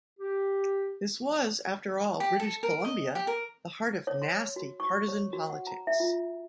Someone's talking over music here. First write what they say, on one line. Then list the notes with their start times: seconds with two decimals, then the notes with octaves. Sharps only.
This was, after all, British Columbia, the heart of nasty, partisan politics.
0.20 G4
2.20 G4
2.40 A4
2.63 A#4
2.85 D#5
3.15 G4
3.27 A#4
4.07 C#5
4.22 C6
4.56 F#4
4.80 C#6
5.08 C#5
5.33 F#4
5.50 F#5
5.67 A#5
5.87 E5
6.00 F4